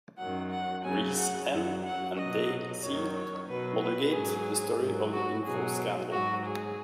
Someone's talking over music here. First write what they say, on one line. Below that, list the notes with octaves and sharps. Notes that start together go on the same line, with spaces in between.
Rees, M and Day, C. Muldergate: The story of the info scandal.
F#2 D#3 F#3 F#5
F#5
F#2 C#3 F#3 G#5
F#5
F#2 F#3 F#5
F#5
B2 F#3 D#5
F#2 D#3 F#3 C#5
C#5
B2 F#3 B4
B4
G#2 F#3 G#4
G#2 F#3
F#4
B2 F#3 G#4
G#2 F#3 F#4
G#4